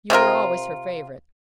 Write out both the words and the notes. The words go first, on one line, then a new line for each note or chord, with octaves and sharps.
You were always her favourite.
C3 C4 F4 A#4